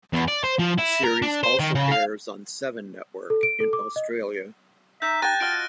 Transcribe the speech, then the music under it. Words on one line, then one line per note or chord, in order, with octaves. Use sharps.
The series also airs on Seven Network in Australia.
E2
D5
C5
F3
E4
A#4
D4
C5
D#3
C#3
F5
A4
D7
A4
D6
D#5
D#4 E5 A#5 G6
G4 G5 A5 F#6 A#6 D#7
F4 F#4 D#5 F6 D7